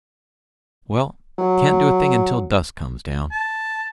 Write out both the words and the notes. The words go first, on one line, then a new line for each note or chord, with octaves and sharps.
Well, can't do a thing until dusk comes down.
F#3
A5